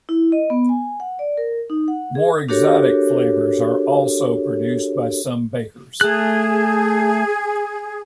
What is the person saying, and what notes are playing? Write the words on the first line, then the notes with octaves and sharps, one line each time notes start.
More exotic flavours are also produced by some bakers.
E4
D#5
B3
G#5
F#5
D5
A#4
D#4
F#5
G#4
D4 F#4 G4 A4 A#4 C#5
A3 G#4 F#6